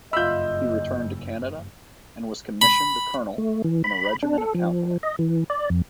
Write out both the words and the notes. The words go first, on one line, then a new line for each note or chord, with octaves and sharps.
He returned to Canada and was commissioned a colonel in a regiment of cavalry.
F#1 G2 F4 D#5 E5 B5 E6 G6
B5
A3
E3
B5
D4
A4
F3
D#5
E3
D5
F2